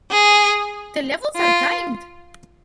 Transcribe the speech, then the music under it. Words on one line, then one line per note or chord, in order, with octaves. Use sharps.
The levels are timed.
G#4
F4